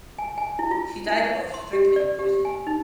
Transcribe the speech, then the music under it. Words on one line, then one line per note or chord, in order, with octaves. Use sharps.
He died of strychnine poisoning.
G#5
G#5
E4
F4
E4
E5
C6
G4
D5
G4
G#5
D#4